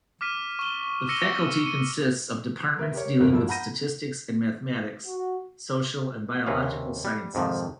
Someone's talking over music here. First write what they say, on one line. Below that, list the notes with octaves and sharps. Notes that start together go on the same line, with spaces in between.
The faculty consists of departments dealing with Statistics and Mathematics, Social and Biological Sciences.
D6 F6 B6 D#7
C#6 G7
D6 E6 A#6 C#7 D#7 G7
C#7 D#7
A#4 B4 E5
G4 A#4 C#5
G1 E2 D#3 A#3 F#6
G1 F3 G3 A#3 E6
F#5 A#5 B5 G6 A#6 D#7
F#4
D#2 C3 C4 C#4 B4 F5
G3
F2 G#2 C3 D#3 F3